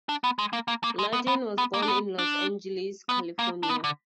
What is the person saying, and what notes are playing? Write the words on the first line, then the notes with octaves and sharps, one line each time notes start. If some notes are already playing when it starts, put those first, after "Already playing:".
Ledeen was born in Los Angeles, California.
D4
B3
G#3
A#3
A#3
A#3
G#3
B3
B3
B3
A#3
D4
B3
D4
B3
A#3
D4
B3
D3